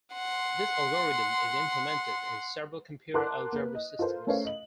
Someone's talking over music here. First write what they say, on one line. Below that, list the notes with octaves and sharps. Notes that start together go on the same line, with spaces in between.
This algorithm is implemented in several computer algebra systems.
F#5 C6
A#4 F#5 A5 C6 D6 F#6
A#3 B4
D#5
F4 A4 A#4 C5
A3 C#4 A#4 C5 C#5 F5
D#5 F#7